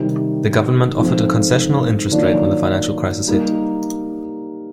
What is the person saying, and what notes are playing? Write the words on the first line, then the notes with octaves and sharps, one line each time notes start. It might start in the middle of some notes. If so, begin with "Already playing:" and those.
The government offered a concessional interest rate when the financial crisis hit.
Already playing: C3 D#3 G3
G#2 F3 A3 C4
D#3 F#3 A#3 D4 F4
G3 A#3 D#4 G4 A#4